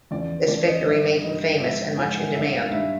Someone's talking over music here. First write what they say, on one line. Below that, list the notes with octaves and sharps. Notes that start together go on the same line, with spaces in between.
This victory made him famous and much in demand.
E2 C#3 F3 D5
E2 C#3 F3 D5
D#5
G2 D#3 E5
G2 D#3 D#5
G#2 F3 E5
G#2 F3 G#5
F#5
G2 D#3 E5
F5
G2 D#3 E5